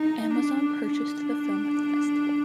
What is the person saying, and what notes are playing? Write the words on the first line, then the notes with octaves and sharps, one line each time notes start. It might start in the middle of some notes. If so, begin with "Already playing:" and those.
Amazon purchased the film at the festival.
Already playing: D#4
D4
D4